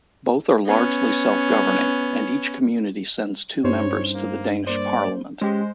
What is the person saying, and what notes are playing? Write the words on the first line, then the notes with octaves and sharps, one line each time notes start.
Both are largely self-governing, and each community sends two members to the Danish Parliament.
B3 C#4
G2 C#4 D#4 C5 C#5
A#3
A#3 C5 D5
G#3 C#4 G4 C5